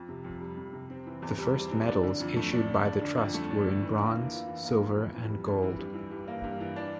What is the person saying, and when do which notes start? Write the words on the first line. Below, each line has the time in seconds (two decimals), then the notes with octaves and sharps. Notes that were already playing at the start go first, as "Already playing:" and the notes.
The first medals issued by the trust were in bronze, silver and gold.
Already playing: F2
0.09 C3
0.24 F2
0.41 G3
0.57 F2
0.73 C3
0.90 C4
1.06 E3
1.22 E2
1.38 G3
1.55 C4
1.71 E3
1.88 D4
2.03 D3
2.20 F2
2.36 A3
2.53 D4
2.69 D3
2.85 D4
3.01 D3
3.18 F2
3.34 A3
3.50 D4
3.67 D3
3.82 E3
4.00 A#3
4.16 E3
4.32 F4
4.48 E3
4.65 A#3
4.81 F2
4.97 E3
5.13 F2
5.29 G3
5.46 F2
5.63 E3
5.78 G2
5.94 E3
6.11 G2
6.27 A#3
6.44 G2
6.60 E3
6.76 D4